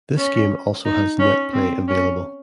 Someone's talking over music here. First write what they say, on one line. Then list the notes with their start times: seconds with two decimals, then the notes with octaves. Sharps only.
This game also has Net Play available.
0.17 C#4
0.85 D#4
1.19 C#4
1.53 C4
1.88 C#4